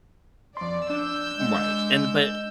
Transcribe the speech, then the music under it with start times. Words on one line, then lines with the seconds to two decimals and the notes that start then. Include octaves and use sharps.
M right. And but,
0.57 F2 D5 C6
0.90 D4 E6 G6
1.37 G#3